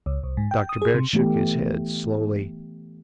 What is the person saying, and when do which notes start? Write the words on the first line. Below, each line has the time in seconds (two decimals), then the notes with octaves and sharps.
Dr. Bird shook his head slowly.
0.06 C#2
0.23 C2
0.37 G#2
0.51 G5
0.69 D#6
0.82 G#4
0.94 C3
1.13 E3 A3 B3 G4